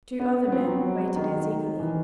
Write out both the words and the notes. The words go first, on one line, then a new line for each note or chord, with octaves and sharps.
Two other men waited as eagerly.
B3
B3
C4
F#3
D#3
E3